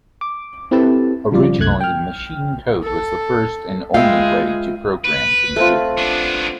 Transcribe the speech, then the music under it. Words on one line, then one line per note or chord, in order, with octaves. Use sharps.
Originally, machine code was the first and only way to program computers.
D6
C4 E4 G4 A4 B4 A5
C#3 F3 G3 F4 D5
C2 F#2 A3 F#6 G#6
G5 F6
A4
G#3 F4 G#4 B4 E5 F5 G5
B4
A3 C4 F4
B3 D4